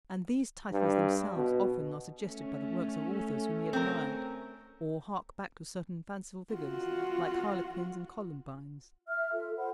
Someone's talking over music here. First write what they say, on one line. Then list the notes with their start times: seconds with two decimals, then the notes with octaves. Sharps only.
And these titles themselves often are suggested by the works of authors whom he admired, or hark back to certain fanciful figures like harlequins and columbines.
0.72 G2
1.36 B2
2.21 A3 C#4
3.73 C4 A#4
6.54 F4 F#4
9.07 E5 F6
9.33 F4 A4 E5
9.57 C5 F#5 B5